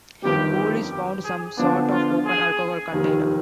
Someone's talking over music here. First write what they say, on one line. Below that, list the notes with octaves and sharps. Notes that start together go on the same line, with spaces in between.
Police found some sort of open alcohol container.
G1 F2 D#3 G3 G4
G4
G#4
D3 F3 B3 D4
F4
G#4
F1 D#2 D#3